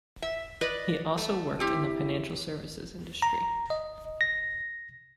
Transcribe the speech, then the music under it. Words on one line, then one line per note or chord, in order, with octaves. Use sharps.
He also worked in the financial services industry.
E5
B4 D5 D#5
A3
C4 E4 G4
A#5
D#5
A#6